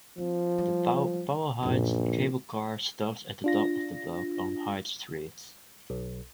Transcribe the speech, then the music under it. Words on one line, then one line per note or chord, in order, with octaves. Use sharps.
The Powell-Hyde cable car stops at the top of the block on Hyde Street.
F3 C4
G3
A#1 F#2 A#2
D4 F4 A#6
B1